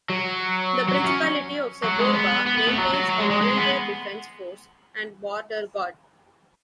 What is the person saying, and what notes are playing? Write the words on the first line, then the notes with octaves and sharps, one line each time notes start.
The Principality of Seborga maintains a volunteer defence force and border guard.
F#3
F#3
C#4
F#3
G#3
B3
B3
B3
A3
F#3
F#3
F#3
G#3
G#3
G#3
B3